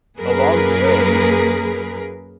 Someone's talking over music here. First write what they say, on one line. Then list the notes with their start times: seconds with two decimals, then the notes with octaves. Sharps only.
along the way,
0.19 F#2 A#3 G#4 A#4 B4